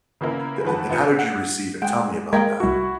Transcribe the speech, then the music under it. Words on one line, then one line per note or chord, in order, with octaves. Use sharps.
The and and how did you receive it? Tell me about that.
C#3 A#3 B3 E4 A#4
F2 D#3 E3 B4 F#5 A5
F1 B3 F4 C#7
F#5
G#3 F#5 G5 F#6 G6 D7
G#3 A#3 G#4 A#4 G5 G#6
C2 E4 F#4 C#6